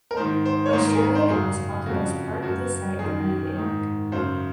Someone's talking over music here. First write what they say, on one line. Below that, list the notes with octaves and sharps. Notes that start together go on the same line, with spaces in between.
Australia House occupies part of the site of New Inn.
A#4
G#2 D#3 C5
C5
C#5
G#2 D#3 C5
A#4
G#4
A#4
C5
F#2 C#3 G#4
F2 C#3 F#4
F#2 C#3 F#4
F#2 D#3 G#4
G#2 D#3
F#2 C#3 C5